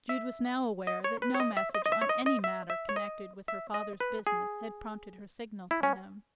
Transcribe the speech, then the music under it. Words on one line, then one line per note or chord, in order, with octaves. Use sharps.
Jude was now aware that no message on any matter connected with her father's business had prompted her signal to him.
E5
D#5
C#5
B4
C#5
D#5
E5
D#5
D#5
E5
C#5
D#5
D#5
E5
E5
C#5
D#5
E5
D#5
B4
G#4
E4
C#4